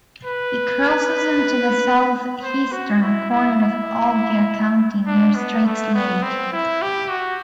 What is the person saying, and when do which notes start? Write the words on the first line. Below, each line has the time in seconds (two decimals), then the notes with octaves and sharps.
It crosses into the southeastern corner of Alger County near Straits Lake.
0.25 B4
2.43 C5
2.72 F#4
3.02 E4
3.31 E4
5.07 D4
5.35 B3
5.65 A3
5.94 B3
6.22 C4
6.53 E4
6.82 G4
7.10 F#4